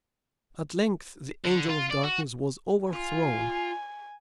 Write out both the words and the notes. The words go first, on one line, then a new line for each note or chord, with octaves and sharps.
At length the angel of darkness was overthrown.
D3
F4
D5
F#4
F4 G#5